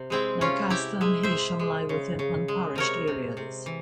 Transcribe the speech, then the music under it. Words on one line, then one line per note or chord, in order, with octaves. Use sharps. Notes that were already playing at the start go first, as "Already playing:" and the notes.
Lancaster and Heysham lie within unparished areas.
Already playing: C3
G#3 C4 E4
C3 C#4 F4
C3 E4 G4
G#3 E5
C5 E5
G#3
G#3
C#3
C#3
G#3
C3 A#4 C#5
C3
C3
E3